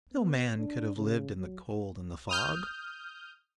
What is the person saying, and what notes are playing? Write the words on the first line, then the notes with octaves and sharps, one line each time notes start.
No man could have lived in the cold and the fog.
B3
D4
C#3
F#3
D#6 F6 G6